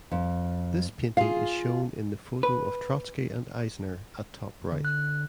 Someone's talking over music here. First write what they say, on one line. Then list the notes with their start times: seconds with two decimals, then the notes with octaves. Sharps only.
This painting is shown in the photo of Trotsky and Eisner at top right.
0.11 F2
1.17 F4 G#4 F5
2.43 B4
4.72 D3
4.85 F#6